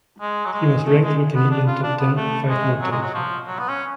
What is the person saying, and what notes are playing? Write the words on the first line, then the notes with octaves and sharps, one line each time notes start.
He was ranked in the Canadian top-ten five more times.
G#3
F#3
G#3
A3
G#3
B3
D4
F4
D4
B3
A3
G#3
F#3
G#3
F#3
F3
F#3
B3
C#4